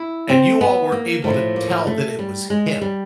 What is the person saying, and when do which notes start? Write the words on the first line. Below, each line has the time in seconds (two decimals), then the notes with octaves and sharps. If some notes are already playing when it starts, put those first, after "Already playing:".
And you all were able to tell that it was him.
Already playing: E4
0.29 C4
0.61 B3
0.92 A#3
1.24 A2 F3 A3
1.56 A#3
1.87 A3
2.19 G3
2.50 G#3
2.81 G3